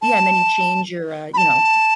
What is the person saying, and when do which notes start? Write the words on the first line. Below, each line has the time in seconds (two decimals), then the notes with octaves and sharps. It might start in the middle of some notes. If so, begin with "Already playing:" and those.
Yeah, and then you change your, uh, you know,
0.02 A5
1.34 B5
1.38 A5